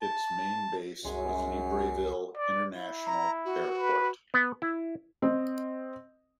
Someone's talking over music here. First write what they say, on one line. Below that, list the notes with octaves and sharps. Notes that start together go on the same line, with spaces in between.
Its main base was Libreville International Airport.
A5
C2 F#2 G#3 G#4 G#5
D5
E4
A#5
F#4
B4
B3
E4
C4 D#5